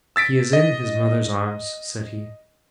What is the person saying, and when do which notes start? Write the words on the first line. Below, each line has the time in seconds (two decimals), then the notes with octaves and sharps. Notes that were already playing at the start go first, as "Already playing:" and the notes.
'He is in his mother's arms,' said he.
0.16 E6 A6 B6 D7
0.53 D#5